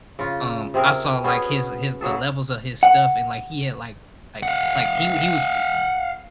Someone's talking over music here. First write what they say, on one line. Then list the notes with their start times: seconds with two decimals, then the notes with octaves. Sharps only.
um, I saw, like, his his the levels of his stuff and, like, he had, like like like he he was t
0.19 C#3 F4
0.74 C3 C4 G#4 A#4
1.24 B3 C#4 F#4 G#4
2.01 C#3 F#3 G#4 A4
2.83 F#5
4.43 F5 F#5